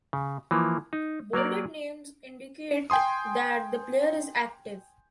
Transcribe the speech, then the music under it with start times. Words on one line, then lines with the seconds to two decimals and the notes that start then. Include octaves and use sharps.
Bolded names indicate that the player is active.
0.13 C#3
0.51 E3 F3 A#3
0.93 D#4
1.33 F#3 A#3 A#4 D5
2.90 G5 G#5 C6 D#6